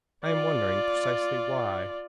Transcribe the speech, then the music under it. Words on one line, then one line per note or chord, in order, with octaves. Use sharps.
"I am wondering precisely why."
F4 D5